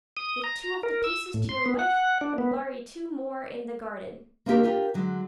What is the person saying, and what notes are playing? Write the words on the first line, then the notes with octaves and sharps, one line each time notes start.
Give two of the pieces to your wife, and bury two more in the garden.'
D#6
A#5
A#4
E6
A2
C6
B3
F#5
D4
B3
A#3 C4 D4 D#4 G4 A#4
D4 F4 G4 A#4
D3 F#3 G#3